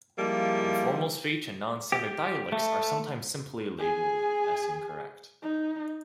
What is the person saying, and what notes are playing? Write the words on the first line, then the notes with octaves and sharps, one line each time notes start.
Informal speech and non-standard dialects are sometimes simply labelled as incorrect.
F3 G3 G#3 A#3 E4
G4
A3
G#4 G#5
D#4